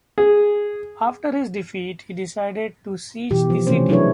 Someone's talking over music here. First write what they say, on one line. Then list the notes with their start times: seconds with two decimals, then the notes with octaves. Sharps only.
After his defeat he decided to siege the city.
0.18 G#4
3.31 B2 E3 G4
3.50 F3
3.67 C3 E3 A3 C#4 C5
3.89 F#3 D4 E4 G#4 B4 C#5